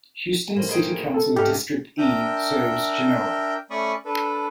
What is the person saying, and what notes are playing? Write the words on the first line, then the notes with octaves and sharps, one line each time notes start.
Houston City Council District E serves Genoa.
A2 A#3 C5
G#4 G5
A4
G#2 C#3 A3 G4 A4 F6
D4 A#4 E5 G5 G6
A3 C#4 D5 B5 C#6 D#6
D4 A4 B4